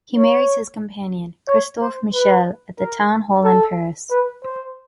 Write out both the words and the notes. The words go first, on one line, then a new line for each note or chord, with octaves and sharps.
He marries his companion, Christophe Michel, at the town hall in Paris.
C#5
C#5
C5
B4
A#4
A4
B4
C5